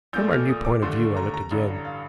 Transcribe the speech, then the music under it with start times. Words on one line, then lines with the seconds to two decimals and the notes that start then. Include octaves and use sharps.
From our new point of view I looked again.
0.13 A#1 A#2 A3 G6
0.31 F6
0.49 D#6
0.65 D6
0.82 D#2 D3 A3 C6
1.17 A#5
1.34 A#5
1.51 A1 G2 D3
1.85 F5